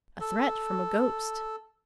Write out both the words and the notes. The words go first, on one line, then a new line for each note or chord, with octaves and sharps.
A threat from a ghost!
A4